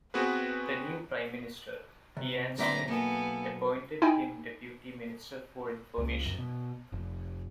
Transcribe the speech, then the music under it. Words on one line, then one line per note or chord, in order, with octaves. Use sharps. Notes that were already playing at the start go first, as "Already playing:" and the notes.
The new Prime Minister, Ian Smith, appointed him Deputy Minister for Information.
B3 C4 F#4 G#4 B4
C3
B1 D3 B3 C4 D5 E5 A#5 C6
A#3 B3 A4 G#5
D#4 E4 E5 G5 G#5 B5
C#2
F#2
B2
F1